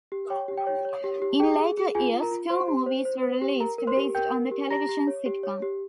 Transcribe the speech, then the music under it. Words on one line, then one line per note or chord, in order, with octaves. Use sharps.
In later years two movies were released based on the television sitcom.
G4
C#5 G5
G4
G5
C#5
C#5
G4
G4
G#4 G5
G#4
G#4
F4 G#4 G#5
F4
A#4 A#5
F4
C5 C6
G4
C5
C5
C5
G4
A#4 A#5
A#4
C5 C6
G4
A#4 G5 G6
A#4
G4
G4 A#5 A#6
G4
C#5
G4
C#5
G4